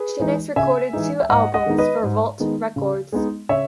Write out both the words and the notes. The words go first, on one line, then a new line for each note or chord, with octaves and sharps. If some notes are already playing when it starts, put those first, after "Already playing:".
She next recorded two albums for Volt Records.
Already playing: G#4 B4
E3 G#3 D#4
C#3 E5 G#5
E3 G#3 D#4
E5
G#2 D#5 F#5
D#5 F#5
D#3 G#3 B3 D#4
B4 D#5
G#2
D#3 G#3 B3 D#4
C#3
G#3 B3 D#4
C#3 C#5 E5